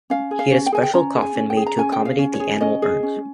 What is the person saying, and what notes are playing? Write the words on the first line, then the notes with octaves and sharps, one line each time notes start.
He had a special coffin made to accommodate the animal urns.
C#4 F5
G#4
F5
C#4
G5
G#4 G#5
G5
C#4 A#5
G#4
G#5
C#4
G5
G#4
A#5
C#4 G#5
G5
G#4
F5
C#4
C#5
G#4
C#4 D#5
G#4
C#4